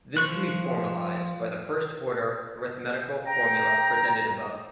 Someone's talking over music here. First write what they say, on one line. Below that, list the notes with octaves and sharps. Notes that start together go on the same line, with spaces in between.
This can be formalized by the first-order arithmetical formula presented above.
F3 C#6 F#6
G5 A#5